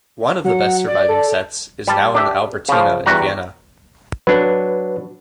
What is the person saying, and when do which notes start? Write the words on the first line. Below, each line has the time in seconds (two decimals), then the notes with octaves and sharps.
One of the best surviving sets is now in the Albertina in Vienna.
0.44 F#3 F#5
0.86 D5
1.08 A4
1.87 G3 A5
2.15 D4 G4 E5
2.69 C#3 F3
3.06 E2 G3 F#4 F#5 A#5
4.27 F#3 D4 B4